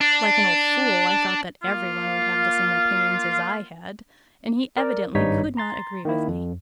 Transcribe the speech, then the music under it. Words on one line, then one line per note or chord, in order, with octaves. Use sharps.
Like an old fool, I thought that every one would have the same opinions as I had; and he evidently could not agree with me.
D4
A#3 F4
A#4 D5
G#1 G2 G3 D#4 C#5 B6
A#5 C6 A6
D#3 A#3 E4
F2